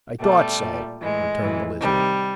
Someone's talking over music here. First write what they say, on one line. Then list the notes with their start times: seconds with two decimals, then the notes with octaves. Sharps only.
"I thought so," returned the Lizard.
0.20 B2 G3 A3
0.61 A#2
1.01 A2 E3 G#3
1.42 A2 E3
1.82 C3 D#3 G3